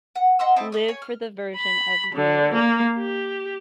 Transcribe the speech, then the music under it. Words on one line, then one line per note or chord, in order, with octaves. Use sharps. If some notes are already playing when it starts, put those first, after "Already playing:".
"Live for the version of you
F#5
D#5 F#5 C6 E6
C4 E4 D#5 A5
B4 C#5 D#5
C#5 G#5
F6
B5
D3
A#3
G4